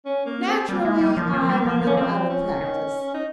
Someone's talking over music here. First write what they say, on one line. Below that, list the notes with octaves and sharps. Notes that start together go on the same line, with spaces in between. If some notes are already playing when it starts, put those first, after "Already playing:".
"Naturally I'm a little out of practice."
C#4
A#3
C4
G3 A#3
G#3
G3
F3
F3
G3
F3
F3 C#4
F3 C4
C#4
D#3
D#4